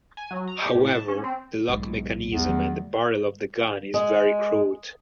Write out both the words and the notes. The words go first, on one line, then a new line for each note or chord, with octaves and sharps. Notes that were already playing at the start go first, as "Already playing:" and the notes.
However the lock mechanism and the barrel of the gun is very crude.
G#5
F#3
A#5
G4
A2
A5
C#4
C4
B1 G#2
E2
D#3 F#3 A3
G#3